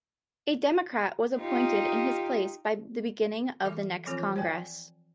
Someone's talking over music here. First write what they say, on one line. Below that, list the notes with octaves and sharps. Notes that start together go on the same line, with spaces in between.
A Democrat was appointed in his place by the beginning of the next Congress.
D#4 F4 G4
E3 A4 E5
E3 F3 C4 F4 A4
C5 D5 G5 G#5